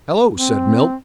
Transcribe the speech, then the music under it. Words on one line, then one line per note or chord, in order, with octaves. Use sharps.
"Hello!" said Milt.
C4